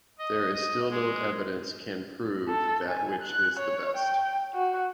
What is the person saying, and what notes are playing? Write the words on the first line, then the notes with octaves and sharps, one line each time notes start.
There is still no evidence can prove that which way is the best.
D#5
D#5
G#3
A4
G#5
F#6
C#5
G5
F#4